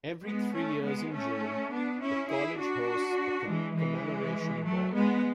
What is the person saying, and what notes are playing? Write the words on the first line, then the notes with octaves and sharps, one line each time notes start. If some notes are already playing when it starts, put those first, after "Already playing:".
Every three years in June, the college hosts a commemoration ball.
G#3 B3
A3 C#4
G#3 B3
A3 C#4
B3 D4
C#4 E4
E4 G#4
D4 F#4
E3 G#3
E3 G#3
F#3 A3
G#3 B3